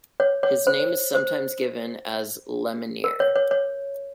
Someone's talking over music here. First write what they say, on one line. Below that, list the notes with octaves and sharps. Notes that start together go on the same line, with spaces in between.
His name is sometimes given as Lemonnier.
C#5
C#5
C5
C5
A#4
C#5
C#5
C#5